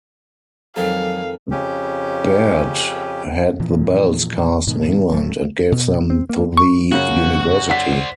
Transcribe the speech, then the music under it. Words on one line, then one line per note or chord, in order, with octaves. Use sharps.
Baird had the bells cast in England and gave them to the university.
F2 D#3 F#3 G#3 A4 F5
F2 C#3 C#4 G4
A#2 E3 F3
G#2 B2 D#3
D1 A2 F#3 A3
B2
C4
A#3
C#6
F#2 C#3 F#4
C5 D5 F#5 B6